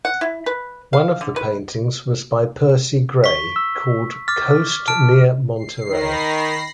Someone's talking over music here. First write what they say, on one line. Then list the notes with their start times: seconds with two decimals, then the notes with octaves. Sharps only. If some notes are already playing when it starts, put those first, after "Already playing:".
One of the paintings was by Percy Gray called "Coast Near Monterey".
0.05 F#5
0.21 E4
0.46 B4
0.93 F5
1.21 D3
1.36 B4
3.24 C#6 B6
3.56 E6
4.28 D6 F6 A6
4.88 A5 F6 D7
5.56 C7
5.89 D#3 B5 A#6 C7